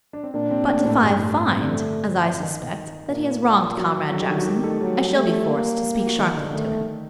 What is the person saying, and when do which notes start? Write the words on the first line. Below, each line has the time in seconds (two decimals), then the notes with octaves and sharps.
But if I find, as I suspect, that he has wronged Comrade Jackson, I shall be forced to speak sharply to him.'
0.13 D4
0.24 C4
0.33 A#2 A#3 D4
0.51 C3 C4
0.68 A3
0.77 A#3
0.85 A2 A3
1.02 G2 G3
1.19 A2 A3
1.37 C3 C4
1.48 C3 C4
1.60 D3 D4
1.71 A3
2.40 D#3 D#4
3.09 A#2
3.78 F#3 F#4
4.12 D3 F#3 F#4
4.20 G3 G4
4.29 D#3 D#4
4.38 F#3 F#4
4.46 D#3 G3 G4
4.63 A3 A4
4.81 F#3 G3 G4
4.98 A3 A4
5.15 G3 A3 G4
5.49 A#3
5.95 G4
6.06 F#4
6.18 D#3 D#4
6.35 D3 D4
6.53 D#3 A3 D#4